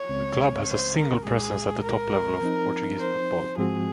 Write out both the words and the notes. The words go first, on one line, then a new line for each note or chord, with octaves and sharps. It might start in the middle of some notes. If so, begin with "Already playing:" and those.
The club has a single presence at the top level of Portuguese football.
Already playing: C#5
C#2 C#3 G#3 C4
C5
A#4
C2 A#2 G#3 G#4
A#4
F3 C4 D#4
C5
G#2 F3 G#3 C4 F#4 G#4